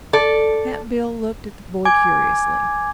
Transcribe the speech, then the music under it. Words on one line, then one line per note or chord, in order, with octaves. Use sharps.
Cap'n Bill looked at the boy curiously.
A4 D5
G#5 D6 G#6